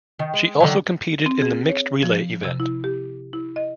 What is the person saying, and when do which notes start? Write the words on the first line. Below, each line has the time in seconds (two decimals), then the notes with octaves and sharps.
She also competed in the mixed relay event.
0.19 D#3
0.34 G#3
0.60 D3 D#3 F#3
1.26 C4
1.42 G#4
1.69 C#5
2.03 F3
2.45 C3
2.60 E4
2.84 G4
3.33 E4
3.56 D#5